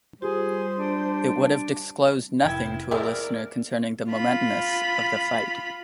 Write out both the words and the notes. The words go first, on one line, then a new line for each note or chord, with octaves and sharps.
It would have disclosed nothing to a listener concerning the momentousness of the flight.
G3 F4 G4 G#4 C5
D4
F1 E4 G5 G#6
E3 F3 G#3 A#4 D5 E5 E6
F4 B5